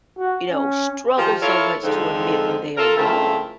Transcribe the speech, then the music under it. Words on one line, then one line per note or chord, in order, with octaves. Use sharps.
you know, struggle so much to admit when they are wrong?
F#4
C#4
D#3 F3 F4 G4 G#4
E4 F4 A4 A#4 C#5
F2 D3 F3 G#3 C4 D#4
F4 A4 A#4
C#3 A3 C4 E4 F4 A#4